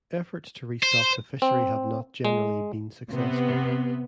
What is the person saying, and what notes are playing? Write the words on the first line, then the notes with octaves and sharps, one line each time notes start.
Efforts to restock the fishery have not generally been successful.
C5
C4
G#3
C3 B3